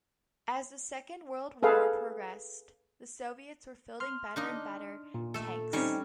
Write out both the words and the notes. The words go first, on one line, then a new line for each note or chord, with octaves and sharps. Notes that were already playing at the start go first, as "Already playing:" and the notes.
As the Second World War progressed, the Soviets were fielding better and better tanks.
G#4 A4 B4 F5
C6 F6
D4 D#4 D#5
A#2
A3 A4
G3 C4 C#4 D#4 C#5